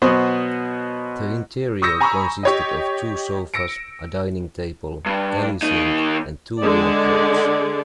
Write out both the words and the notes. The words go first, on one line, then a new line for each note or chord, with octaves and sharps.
The interior consisted of two sofas, a dining table, galley sink and two wardrobes.
B2 F#3 B3 F#4 C5 D#6
C#6 D#6 E6 G6 A#6 C#7
G#5 A#5 B5 C#6 D#6 E6
G4 C#5 D#5
E6 A#6 C#7 D7
G2
D#2 D#4
D3 G#3 D5